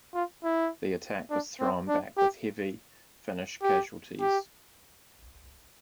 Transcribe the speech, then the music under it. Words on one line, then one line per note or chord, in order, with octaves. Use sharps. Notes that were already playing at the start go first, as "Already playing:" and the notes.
The attack was thrown back with heavy Finnish casualties.
F4
E4
D4
C4
D4
G4
G4
G4